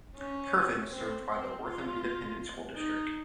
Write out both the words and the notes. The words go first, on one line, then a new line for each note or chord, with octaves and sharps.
Kirvin is served by the Wortham Independent School District.
C#4
C4
C4
F4
D#4